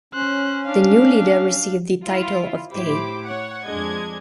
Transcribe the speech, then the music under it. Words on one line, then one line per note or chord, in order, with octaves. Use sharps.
The new leader received the title of dey.
C#4 C5 F#6
D4 F5
E4 F4
A2 E4 G4 C5 B5 D6
C#5 F#5
F2 G#3 D4 D#5 G#6